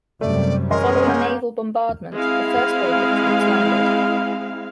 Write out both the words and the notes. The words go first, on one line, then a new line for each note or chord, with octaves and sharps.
Following naval bombardment, the first wave of troops landed.
F#2 C3 G3 A3 D5
A1 G#3 C#4 A#4 D#5 C6
A#3 F#5 G6
G#3 C4 E4 F5